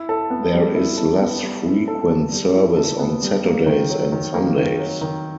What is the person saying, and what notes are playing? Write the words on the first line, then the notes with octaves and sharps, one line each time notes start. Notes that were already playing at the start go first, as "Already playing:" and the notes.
There is less frequent service on Saturdays and Sundays.
Already playing: E4
A4
B3
G3
E4
A4
B3
G3
E4
A4
B3
G3
E4
A4
B3
G3
A#3
D#3
F#3
D#3
A#3
D#3
F#3
D#3